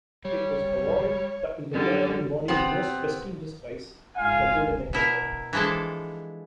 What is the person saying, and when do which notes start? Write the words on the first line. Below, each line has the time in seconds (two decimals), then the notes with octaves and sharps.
It was awarded the International body's most prestigious prize, the Golden Egg Award.
0.25 G3 C#5
1.73 F#2 D3 G3
2.48 C3 B3 C4
4.16 G#2 F4 F5 G#5
4.93 B2 E4 A#4
5.53 E3 F3 G#3 D4 A4